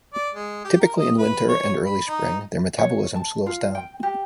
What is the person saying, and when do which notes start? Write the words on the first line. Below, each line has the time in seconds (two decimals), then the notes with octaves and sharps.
Typically in winter and early spring their metabolism slows down.
0.14 D5
0.35 G#3
0.64 G4
0.80 A#4
0.99 D#5
1.18 B4
1.49 C#5
1.85 B5
2.08 D#4
2.78 C#5
3.16 A5
3.46 F4
3.75 G5
4.03 G4